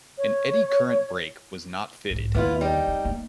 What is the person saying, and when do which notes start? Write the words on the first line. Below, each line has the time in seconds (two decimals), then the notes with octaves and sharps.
An eddy current brake was not fitted.
0.18 C#5
2.11 B1 G#2
2.34 D#2 B3 E4 F4
2.61 G3 D#4
2.88 C4
3.05 A#3